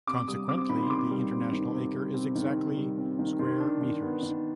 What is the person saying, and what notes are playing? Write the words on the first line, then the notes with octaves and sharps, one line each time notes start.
Consequently, the international acre is exactly square metres.
C3 D6
G3 D#6
C4 D6
D#3 B5
C6
C3 D6
G3
C4
D#3
C3
G3
C4
D#3
C3
G3
C4
D#3
D#3 C6
D4
D#3
B3
D#3